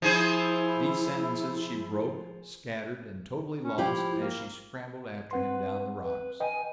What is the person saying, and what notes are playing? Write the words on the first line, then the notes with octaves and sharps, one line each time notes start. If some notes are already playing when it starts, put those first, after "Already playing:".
These sentences she broke, scattered, and totally lost as she scrambled after him, down the rocks.
F3 E4 G#4 C5
C#4
F3 E4 G4
A#3
C4 B4 F#5 C6
B4
B4 D#5 G5 G#5